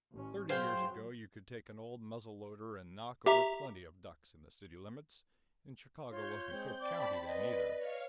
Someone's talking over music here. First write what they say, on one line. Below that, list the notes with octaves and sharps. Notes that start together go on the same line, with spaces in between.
Thirty years ago, you could take an old muzzle-loader and knock over plenty of ducks in the city limits, and Chicago wasn't Cook County then, either.
A1 C#4
F#3 G#4 C5 F5 G5
G4 E5 A#5
F4 C#5 C6 G6
G#3 C4
D5 G5 A5 B5 D6
B4 D5 D#5
C#5 F5